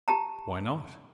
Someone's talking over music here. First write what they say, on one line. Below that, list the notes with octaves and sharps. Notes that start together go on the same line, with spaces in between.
"Why not?"
G4 A5 A#5